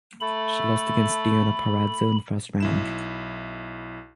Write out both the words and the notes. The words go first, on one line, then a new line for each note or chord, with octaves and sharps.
She lost against Deonna Purrazzo in the first round.
A3 B5
B1 E4 E7